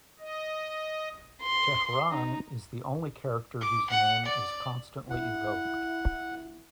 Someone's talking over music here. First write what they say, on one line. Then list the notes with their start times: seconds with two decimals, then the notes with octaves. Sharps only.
Teheran is the only character whose name is constantly evoked.
0.19 D#5
1.42 C6
2.11 D#4
3.61 D6
3.90 F#5
4.25 D5
5.10 E4 F#5